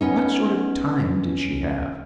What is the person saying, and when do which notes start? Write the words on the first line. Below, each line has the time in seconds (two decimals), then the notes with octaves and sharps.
What sort of time did she have?
0.01 B3 C#4 D#4